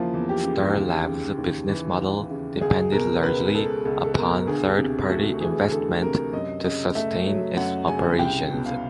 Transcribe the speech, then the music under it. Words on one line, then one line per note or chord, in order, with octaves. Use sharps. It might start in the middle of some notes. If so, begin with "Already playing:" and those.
Starlab's business model depended largely upon third-party investment to sustain its operations.
Already playing: E2 C#3 F3 A#3 E4 F4
E2
G4
C#3
D#2
C#3
D#2
E3
D#2
C#3
C#2 G#4
B2 A#4
C#2 B4
G#3 A4
C#2 A4
A4
B2 A#4
D2 G#4
C3
A3 F#4
E3 G#4
D2 A4
C3 A#4
F#2 D#5
C#3 D#5
A3 E5
F#3
F#2 F#5
C#3 G#5
C2 G5
B2
F5